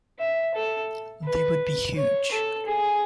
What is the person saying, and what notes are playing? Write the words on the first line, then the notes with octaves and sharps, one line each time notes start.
They would be huge.
E5
A4
B4
C#5
A4
G#4